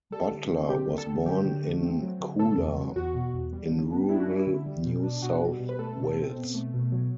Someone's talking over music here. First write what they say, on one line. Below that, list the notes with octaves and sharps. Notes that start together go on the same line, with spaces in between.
Butler was born in Coolah in rural New South Wales.
G3 A4
D3
C4
D3 G4
G3
A4
D3
F#3 G4
D3
A3
C4
F#3
D3
B2 A4
E2
F#3
E2 F#4
B2
E2
G3
D3
B3
D4 E4
F#4
G3 E4
D3
G3
B2
D4
B2 F#4
G3
B2
B4
A3 A4
B2
C4
B2
A3
B2
F#3